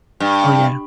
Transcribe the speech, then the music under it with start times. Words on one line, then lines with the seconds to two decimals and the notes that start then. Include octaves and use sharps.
Oh yeah.
0.20 G2